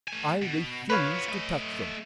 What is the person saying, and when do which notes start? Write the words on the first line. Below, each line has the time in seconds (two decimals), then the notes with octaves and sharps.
"I refuse to touch them."
0.08 A3 G#5
0.42 B2
0.90 F3 B3 B4 C#5 F5
1.29 A3 D#5